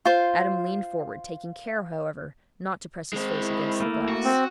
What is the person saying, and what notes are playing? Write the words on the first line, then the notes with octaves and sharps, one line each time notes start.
Adam leaned forward, taking care, however, not to press his face against the glass.
F4 C5
G#3 C4
E4
A3 A#3
F#4
C4